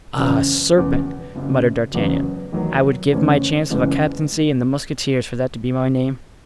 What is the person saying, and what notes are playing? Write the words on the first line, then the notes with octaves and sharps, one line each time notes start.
"Ah! serpent," muttered D'Artagnan, "I would give my chance of a captaincy in the mousquetaires for that to be my name."
F#1 E2 C#3
E1 E2 C#3
F#1 F#2 C#3
F#1 E2 C#3 F#3 B3
E2 D#3 F#3 B3
F#1 E2 D#3 G#3 C#4
F#1 E2 C#3 E3 G#3